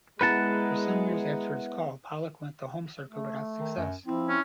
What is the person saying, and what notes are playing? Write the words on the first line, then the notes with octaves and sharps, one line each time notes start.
For some years after his call Pollock went the home circuit without success.
G#3 B3 E4 A#4 B4 F#5 A5
A3
D#3
F#2
F3 C4 E4
C#4